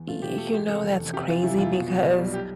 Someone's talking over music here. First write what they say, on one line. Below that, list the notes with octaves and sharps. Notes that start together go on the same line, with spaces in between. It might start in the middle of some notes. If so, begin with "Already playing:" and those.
Y you know, that's crazy because
Already playing: E2
A3 F4
B2 G4
A3 A4
E2 G4
C3 A4
F1
E2
C3 G4
E3 F4
C3 E4
F2 F4
B2
B2
G3
B1
G4